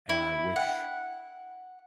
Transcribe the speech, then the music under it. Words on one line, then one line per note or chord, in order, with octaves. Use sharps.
and I wish
E4
F#5